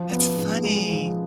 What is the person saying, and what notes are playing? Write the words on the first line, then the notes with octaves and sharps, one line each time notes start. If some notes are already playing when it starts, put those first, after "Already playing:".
That's funny.
Already playing: F3
B3
G#2
G#3
F3